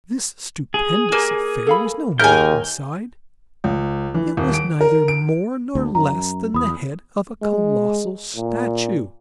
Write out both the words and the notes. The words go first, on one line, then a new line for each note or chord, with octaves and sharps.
This stupendous affair was no mountainside; it was neither more nor less than the head of a colossal statue!
G#4
A#3 G4 D5
A4 F5 B5
D#2 G#4 A#4 E5 G#5 G6
C#2
E3
D#1
D7
A#4
D7
D2
F#2 A#5
E2 B5 D#6
G#3
A#2